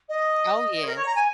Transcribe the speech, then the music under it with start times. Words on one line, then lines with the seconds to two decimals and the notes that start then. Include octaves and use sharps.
Oh, yes.
0.08 D#5
0.82 C#5
0.86 A#4
0.95 C#5
1.05 A#5
1.15 G#5